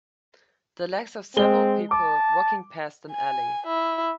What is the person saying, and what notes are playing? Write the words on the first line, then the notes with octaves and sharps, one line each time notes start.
The legs of several people walking past an alley.
G#3 C4 G7
A5 D6
G#5
E4